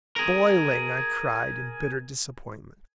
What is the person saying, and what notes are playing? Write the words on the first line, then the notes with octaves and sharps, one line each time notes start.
"Boiling," I cried, in bitter disappointment.
G#4 A#4